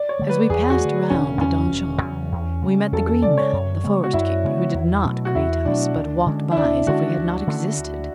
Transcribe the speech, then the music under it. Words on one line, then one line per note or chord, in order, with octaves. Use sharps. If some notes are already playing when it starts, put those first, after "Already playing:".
As we passed round the donjon, we met the Green Man, the forest-keeper, who did not greet us, but walked by as if we had not existed.
Already playing: D5
C#5
D3 A3
B4
E2 G#4
F#4
D3 A3
E1 C#4
E2 C#3 F#3 C#4
E1
E2 C#3 F#3
E2
C#3 G#3
E2 A4
A4
C#3 G#3 D5
C#5
F#2
C#3 G#3 B3
F#4
F#2 E4
C#3 G#3 B3
E2
B2 F#3 A3
F#4
E2 E4
B2 F#3 A3 D4
D2
D3 G#3 C#4
E4
D2 D4
D3 G#3 C#4 F#4
D2
D3 A3 C#4
D2